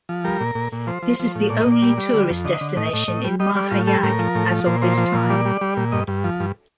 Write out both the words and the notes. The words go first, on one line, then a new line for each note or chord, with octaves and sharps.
This is the only tourist destination in Mahayag as of this time.
F3
G3 A#4
A#2
A#2
A#2
F3 C5
F3
F3
A2
A#2 D5
D#5
A#2
D5
G3
G3
D3
F2
D3 D#5
D3
A2 D#5
A2
A2
G3
G3 D#5
G3 D5
A2 F4
G3 A4
A2 A#4
F3
A2
F3
A#2 C5
F3 C5
F3
A#2
G3 D5
G3
G3
A#2
G2 D#5
G2
F3
G2